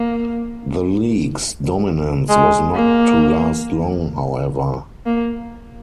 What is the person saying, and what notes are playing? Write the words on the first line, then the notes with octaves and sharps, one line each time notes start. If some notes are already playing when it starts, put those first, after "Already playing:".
The League's dominance was not to last long, however.
Already playing: A#3
G#3
A#3
A#3